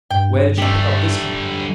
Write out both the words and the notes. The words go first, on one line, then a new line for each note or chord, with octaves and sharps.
Where did she pick up this companion?
G2 G5
D3 G3 A3 G4